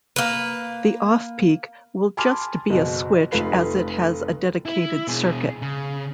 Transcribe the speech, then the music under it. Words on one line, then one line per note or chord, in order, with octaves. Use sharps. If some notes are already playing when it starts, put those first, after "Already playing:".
The off-peak will just be a switch as it has a dedicated circuit.
A#3 B4
G#5 A5 B5 C6 D6 F6
F#1 B2
F1 A3 F4 B4 F5 C7
E4
B2 G#4
C#3